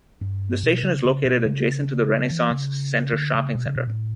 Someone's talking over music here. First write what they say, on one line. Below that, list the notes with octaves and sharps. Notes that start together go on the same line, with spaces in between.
The station is located adjacent to the Renaissance Center Shopping Center.
G2
B2
C#3
C#3
B2
C#3
E3
C#3
D3
C#3
B2
C#3
B2
A2